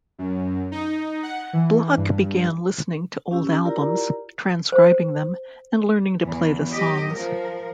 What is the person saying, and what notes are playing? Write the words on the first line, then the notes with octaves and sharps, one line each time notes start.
Block began listening to old albums, transcribing them, and learning to play the songs.
F#2
D#4
F#5
E3
G2
C#4 G4 E6
E4 F4 G4 A#4 D5 A#5
C5
E2 E3
F#3 G4 D#5
F3 A#4